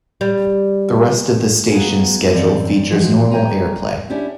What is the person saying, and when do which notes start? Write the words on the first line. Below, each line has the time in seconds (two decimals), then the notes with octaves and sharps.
The rest of the station's schedule features normal airplay.
0.21 G3
1.71 B3 F#4 G#4 F5 G#5 A#5
2.32 F#2 E3 C4 D5 F5
2.91 E3 F3 G#3 F4 F#4
3.31 G3 C#5 D5 G5 G#5 A#5
4.10 C#4 D4 E4 G4